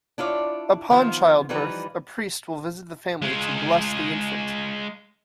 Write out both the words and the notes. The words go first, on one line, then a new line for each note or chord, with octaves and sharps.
Upon childbirth, a priest will visit the family to bless the infant.
D4 E4 F4 C#5
D#3 F3 B3 F4 C5
E3 F3 G3 D#4 B4
G#3 F4